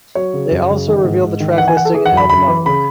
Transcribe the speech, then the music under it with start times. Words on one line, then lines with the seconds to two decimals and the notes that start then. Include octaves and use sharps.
They also revealed the track listing and album artwork.
0.15 F#3 C#5
0.34 C#3
0.51 F#2
0.69 C#3
0.87 D#3
1.05 G#2
1.23 G#2
1.40 D#3
1.58 E3 F#5
1.68 G#5
1.77 E3 F#5
1.85 A4
1.94 E3 G#4
2.06 F#5
2.12 F#2
2.17 B5
2.30 F#2 B5
2.48 E3
2.66 C#3 B5